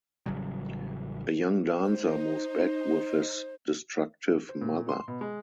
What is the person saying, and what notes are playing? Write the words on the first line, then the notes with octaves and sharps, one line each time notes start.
A young dancer moves back with his destructive mother.
A1 C#3 F#3 G3
D#4 C5
C5
A#2
C6
B2
G#3